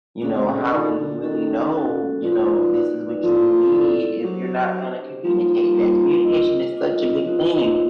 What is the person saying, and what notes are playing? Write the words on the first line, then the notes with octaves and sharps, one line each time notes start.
you know, how will you really know, you know, this is what you need if you're not gonna communicate that, communication is such a big thing
C#3 D4 F#4 A4 D5
C3
C#3
C#3
D#3 D4 F#4 A4 D5
D3
D#3 C#4 F#4 A4
C#4 F#4 A4
F3 D#4 F#4 B4 D5
D#4 F#4 B4 D5
F3 C4 E4 A4 D5
C4 E4 A4 D5
F#3 D4 G4 C5
D4 G4 C5
F3 G3 A#3 D#4 G4 A#4
G3 A#3 D#4 G4 A#4
D4 F4 A#4 D#5
D4 F4 A#4 D#5
F3 D#4 F#4 B4 D#5